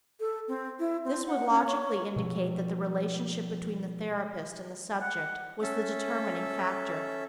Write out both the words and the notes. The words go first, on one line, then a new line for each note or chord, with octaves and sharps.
This would logically indicate that the relationship between the therapist and the subject was the determining factor.
A4
C4
E4
C4
F#5
C#4
C#5
B2 F3
F#5
C#4 A4 E5